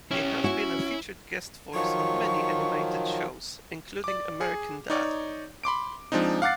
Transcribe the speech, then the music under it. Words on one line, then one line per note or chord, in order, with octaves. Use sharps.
He has been a featured guest voice on many animated shows, including American Dad!
C#4 E4 G4
E4 F#4
D#3 F3 F#3 C#6
D5 D6
G#4
D#4 C#5 D5
B5 C6 D6 D7
F3 G#3 C4 D4 D#4
F5 F#5 D6 F#6 A6 C7